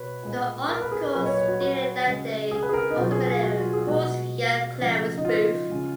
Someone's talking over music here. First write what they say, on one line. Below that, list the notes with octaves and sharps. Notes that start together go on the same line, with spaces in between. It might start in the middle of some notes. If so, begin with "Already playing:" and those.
The article stated that they were ultimately "a coarse yet clever spoof".
Already playing: B2 B4 C#5
A#2 G#3
A#4
B4
G#4
A#4
A#2 F#3 B4
D#5
C#5
C#5
F#4
F#4
C#3 G#3
G#4
B4
G#4
A#4
D#4
B2 F#3 F4
G#4
G#4
F#4
F4
G#4
B2 G#3 F#4
C#3 F3 G#3
D#4
F4
C#3 G#3